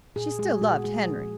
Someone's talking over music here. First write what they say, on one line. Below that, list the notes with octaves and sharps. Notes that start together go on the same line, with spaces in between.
She still loved Henry.
A#2 G#4
G#3 G#4
A#2 F#4
G#3 G#4
F3